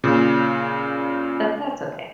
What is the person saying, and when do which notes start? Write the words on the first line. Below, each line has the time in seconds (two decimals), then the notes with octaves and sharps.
But that's okay.
0.04 A#2 C#3